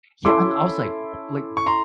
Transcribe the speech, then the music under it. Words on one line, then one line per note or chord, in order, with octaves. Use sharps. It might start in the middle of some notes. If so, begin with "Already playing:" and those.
Yeah, and I was like like
C#4 E4 A4 C6 D6
C#6
A#5 C6